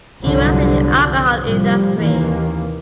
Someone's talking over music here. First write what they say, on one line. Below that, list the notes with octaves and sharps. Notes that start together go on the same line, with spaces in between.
He works in the alcohol industry.
G1 C2 D3 F3 F#3
A2 C3 F3 G3
D#2 C3 D#3 E3 A#3